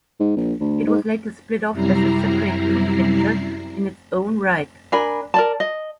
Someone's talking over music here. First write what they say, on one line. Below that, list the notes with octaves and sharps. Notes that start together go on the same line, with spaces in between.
It was later split off as a separate prefecture in its own right.
G#2
A#1
D2
G#2
F#2 C3 G3 E4 A#5 C7
D4 A#4 G#5 B5
A#4 D5 A5
D#5